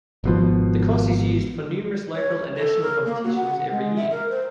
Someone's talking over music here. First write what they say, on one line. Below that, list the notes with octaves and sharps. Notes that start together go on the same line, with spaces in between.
The course is used for numerous local and national competitions every year.
G#1 B2 F3
C#5
A4
A#4
A#3
F#4
F#5
G#3
E5
A#4
C5